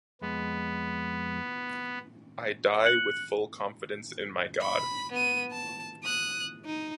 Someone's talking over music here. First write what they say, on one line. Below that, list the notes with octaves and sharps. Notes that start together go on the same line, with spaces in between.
I die with full confidence in my God.
F2 G#3 B3
F#6 C#7 F#7
B5
B3 D#7
A5
D#6 F#6
D#4